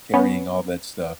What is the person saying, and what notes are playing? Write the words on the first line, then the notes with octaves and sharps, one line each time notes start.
carrying all that stuff
B3 C#4